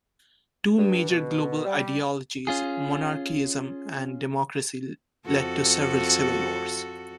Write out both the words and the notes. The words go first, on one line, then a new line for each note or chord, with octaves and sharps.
The two major global ideologies, monarchism and democracy, led to several civil wars.
G2
B2
G3
C#4 F4 G#4
F2 F#4 A4